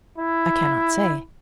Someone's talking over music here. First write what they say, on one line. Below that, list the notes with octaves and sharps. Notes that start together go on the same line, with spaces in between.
"I cannot say."
E4